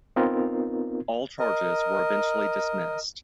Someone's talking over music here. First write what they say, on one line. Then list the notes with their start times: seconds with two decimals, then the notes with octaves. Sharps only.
All charges were eventually dismissed.
0.16 B3 C4 D#4 F4 A#4
1.39 A#4 D#5